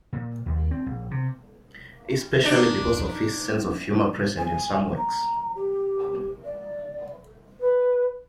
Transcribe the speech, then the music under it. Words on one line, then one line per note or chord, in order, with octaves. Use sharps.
Especially because of his sense of humor present in some works.
A#2
D#2
C4
A#1
C3
D4 D#4
G#5
A#5
G4
D5
B4